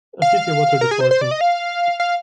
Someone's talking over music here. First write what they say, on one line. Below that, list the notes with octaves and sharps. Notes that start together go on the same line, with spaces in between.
A City Water Dept.
F5
A#4
G#4
C5
C5
D5
D#5
F5
F5